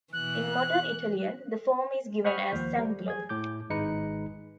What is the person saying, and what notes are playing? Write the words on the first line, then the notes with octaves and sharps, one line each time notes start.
In modern Italian, the form is given as Zanclo.
B2 E3 F#6
C5 F#5 B5 C#6 D#6 F6
D#2 F3 C5
G3
G#4 G#6
A2 D6 G6
G#1 G#3 D#4 B4 C#7